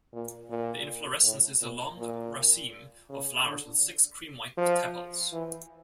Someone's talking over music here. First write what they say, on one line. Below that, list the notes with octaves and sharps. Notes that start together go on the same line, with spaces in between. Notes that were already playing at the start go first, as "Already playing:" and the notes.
The inflorescence is a long raceme of flowers with six cream-white tepals.
A#2
A#2
A2
A#2
A#2
C#3
D3
F3
E3